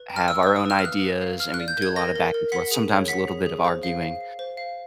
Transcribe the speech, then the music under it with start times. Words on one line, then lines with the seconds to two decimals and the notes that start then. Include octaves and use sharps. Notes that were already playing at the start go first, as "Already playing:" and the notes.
have our own ideas and we do a lot of back and forth, sometimes a little bit of arguing,
Already playing: B4
0.10 G5
0.16 F6
0.28 B4 E6
0.43 B4 E6
0.56 D#6
0.66 B4 F6
0.79 F6
0.85 F5 F#6
1.04 B4
1.22 F5
1.40 F5 F6
1.54 F#6
1.60 D5
1.68 G6
1.77 A#4 G#6
1.96 A#4 A#6
2.16 A#4
2.34 A#4
2.52 F#5 B6
2.71 G#4
2.90 C#5
3.08 F#5 B6
3.27 G#4
3.46 G#4
3.64 C5
3.83 F5
4.02 F5
4.21 F5
4.39 C5
4.57 F5